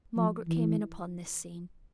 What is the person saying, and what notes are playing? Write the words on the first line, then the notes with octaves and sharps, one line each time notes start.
Margaret came in upon this scene.
F3
E3